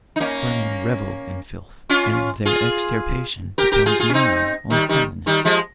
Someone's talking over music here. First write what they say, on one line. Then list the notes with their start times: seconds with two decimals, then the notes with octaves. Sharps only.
Vermin revel in filth, and their extirpation depends mainly on cleanliness.
0.16 D#4
0.20 A#3 C#4
1.89 C#4 F4
2.45 F4 G#4
3.58 G4 A#4
3.72 G4 A#4
3.86 F4 G#4
3.99 F4 G#4
4.09 C#4
4.14 C4 D#4
4.70 D#3 G3
4.89 D#3 G3
5.26 D#3 G3
5.45 F3 G#3